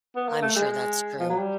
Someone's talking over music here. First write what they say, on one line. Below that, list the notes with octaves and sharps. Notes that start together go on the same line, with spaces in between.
I'm sure that's true.
B3
A#3
A3
G#3
F3
F#3
G3